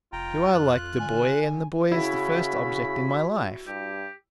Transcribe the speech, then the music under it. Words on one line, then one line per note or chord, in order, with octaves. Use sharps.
You are like the boy, and the boy is the first object in my life.
F1 F4 G5 A#5
F2 F#6
D3 G#5
C#3 E4 F#4 B5
G2 G4